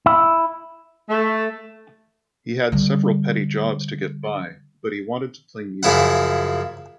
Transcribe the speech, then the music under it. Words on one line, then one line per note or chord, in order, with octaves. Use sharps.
He had several petty jobs to get by, but he wanted to play music.
E4
A3
D3 G3
F#2 C#3 F3 E4 B4 F#5